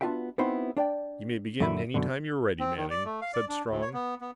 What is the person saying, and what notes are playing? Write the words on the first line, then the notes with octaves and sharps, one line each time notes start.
"You may begin any time you are ready, Manning," said Strong.
B3 D4 F4 F#4 E5 G5
B3 C4 D#4 E4 F#4 C5
D4 D5 G5
F#2 A#2 D3 E5 B5
F#2 B2 D3
C4
D#3
D5
A3
F5
D5
D4
D2
C#5
B3
B3